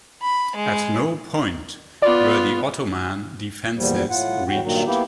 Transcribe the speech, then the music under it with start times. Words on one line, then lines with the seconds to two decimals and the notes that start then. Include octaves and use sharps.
At no point were the Ottoman defences reached.
0.22 B5
0.56 G#3
2.02 B3 F4 D5
3.76 E2 A#2 F3 G3
4.10 A2 F4 F#5
4.48 E2 A2 F#4 G5
4.63 G2 A#2 D#3 F#3
4.86 A#3 B3 E4 G4